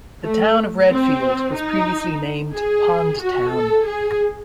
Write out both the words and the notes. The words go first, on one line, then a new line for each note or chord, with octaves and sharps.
The town of Readfield was previously named Pond Town.
A3
C4
D#4
G#4
F#4
A4
G#4